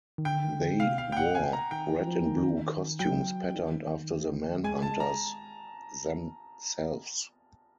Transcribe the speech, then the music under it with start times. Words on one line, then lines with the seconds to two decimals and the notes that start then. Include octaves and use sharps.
They wore red-and-blue costumes patterned after the Manhunters themselves.
0.18 D#3
0.25 D3 G5
0.44 D#3
0.53 D3
0.80 C3 F5
0.98 B2 F5
1.12 G5
1.16 A#2 F#5
1.34 C3 G#5
1.53 A#5
1.71 D#3 G5
1.90 E3
2.08 F3
2.26 D#3
2.99 F#3 G5
3.55 D#3
4.64 G#3 G#5
4.82 A5
4.91 G#3
5.00 A#5